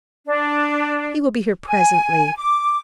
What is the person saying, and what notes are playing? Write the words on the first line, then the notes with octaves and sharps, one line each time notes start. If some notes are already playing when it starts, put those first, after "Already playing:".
He will be here presently.
D4
G#5
D6